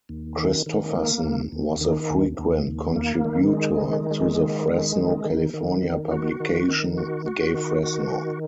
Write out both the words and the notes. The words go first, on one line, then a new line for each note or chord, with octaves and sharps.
Christoffersen was a frequent contributor to the Fresno, California publication "GayFresno".
D#2
D#3
D#3
A#3
D#2
D#2
D#3
D#2
D#2
D#2
A#3
D#3
G#3
D#3
G#3
D#3
G#3
D#3
D#3
D#3
D#3
F#4
D#3
D#3
F#4
F#4
D#3
F#4
D#3